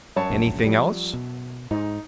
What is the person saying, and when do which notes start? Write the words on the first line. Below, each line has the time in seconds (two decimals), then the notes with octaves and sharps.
"Anything else?"
0.16 F#2 C#5 A5
0.30 E1 A#1
0.66 F3 G3
1.13 B2
1.71 G#2 D#4